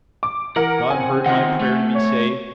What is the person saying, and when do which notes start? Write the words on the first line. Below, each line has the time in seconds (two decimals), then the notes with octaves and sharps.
God heard my prayer to be saved.
0.23 D6
0.56 E3 A#4 F#5
0.90 C4 G#5
1.26 D#3 B3 F4 D#5 F#5
1.60 A3
1.95 C#5